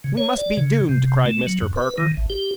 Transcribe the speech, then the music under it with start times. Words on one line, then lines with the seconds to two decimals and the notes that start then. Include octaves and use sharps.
"We must be doomed!" cried Mr. Parker.
0.04 C#3
0.18 C#5
0.37 D5
0.57 C#3
0.89 C3
1.26 A3
1.47 F#3
1.62 F#2
1.76 B4
1.98 D#3
2.17 A1
2.30 G4